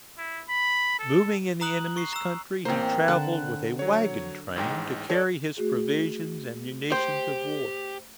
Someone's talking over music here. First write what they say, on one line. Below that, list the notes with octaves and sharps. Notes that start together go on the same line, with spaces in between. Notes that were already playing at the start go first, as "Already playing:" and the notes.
Moving in the enemy's country he travelled with a wagon train to carry his provisions and munitions of war.
E4
B5
A4
A#5 D#6 F#6 F#7
C#6 C7
A#5 E6
A1 A#3 C4 C5
D3 A5 F#6
F#3 C#5
A1 G#2 G5
A4 C#5 D5
A3 F#4 G#4
G4 C5